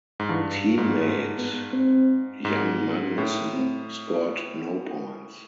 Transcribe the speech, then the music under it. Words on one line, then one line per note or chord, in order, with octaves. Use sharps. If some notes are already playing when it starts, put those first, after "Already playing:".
Teammate Jan Magnussen scored no points.
G#2
G2 E3
G#2
G#2 A#3
B3
C4
G#2
A2 C#4
C4